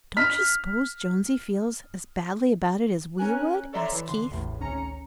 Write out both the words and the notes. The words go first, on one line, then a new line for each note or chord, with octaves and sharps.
"Don't you s'pose Jonesy feels as badly about it as we would?" asked Keith.
F6 B6
C#4 A#4 G#5 F#6
A4 C#5 D5 E5 A#5 C6
E3
D3 C6
A1 E2 A2
G#1 D2 C#4 A#5 C#7